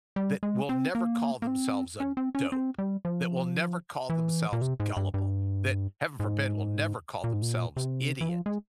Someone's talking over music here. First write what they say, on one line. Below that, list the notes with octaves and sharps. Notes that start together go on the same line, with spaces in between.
that will never call themselves a dope, that will never call themselves gullible, that heaven forbid, will never call themselves idiot,
G3
G#3
C4
A#3
A#3
C4
C#4
C4
C#4
C4
G3
F3
E3
A#2
C3
G#2
G2
G2
G#2
A#2
G#2
A#2
C3
E3
F3
G#3